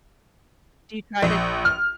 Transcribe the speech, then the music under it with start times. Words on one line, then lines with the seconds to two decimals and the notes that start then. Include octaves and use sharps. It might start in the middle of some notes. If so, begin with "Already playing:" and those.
Do you try to
1.22 A#1
1.65 F6